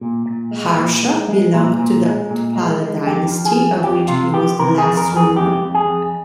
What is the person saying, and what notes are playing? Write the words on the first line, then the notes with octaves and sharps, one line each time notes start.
Harsha belonged to the Utpala dynasty, of which he was the last ruler.
A#2
A#2
G#3
A#2
G#3
G#3
A#2
A#2
G#3
A#2
G#3
G#3
F2 G4
F3
G#4
F2
F2 G4
C3 F4
F3 G4
C3 A#4
G#4
F2
A#4
F2
G#4
F2 G4
F2
G#4
F2